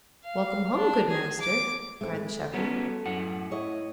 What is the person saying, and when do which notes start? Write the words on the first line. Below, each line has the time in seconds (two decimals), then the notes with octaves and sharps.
"Welcome home, good master!" cried the shepherd.
0.24 F5
0.76 D4
1.09 G#4
1.41 D6
2.01 A3 C4 E4
2.15 G#3
2.54 G3 B3 C#4 F#4 A4
3.05 F#2 A2 F#5
3.51 E4 C#5 D#5